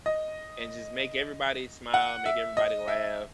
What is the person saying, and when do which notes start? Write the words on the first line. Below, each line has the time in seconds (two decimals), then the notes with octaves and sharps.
and just make everybody smile, make everybody laugh.
0.06 D#5
1.94 F#5
2.26 E5
2.57 D#5
2.88 E5